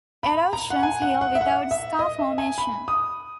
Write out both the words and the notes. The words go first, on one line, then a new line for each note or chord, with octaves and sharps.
Erosions heal without scar formation.
B5
A#5
F#5
G#5
F#5
F#5
E5
F#5
E5
D#5
E5
G#5
B5
D#6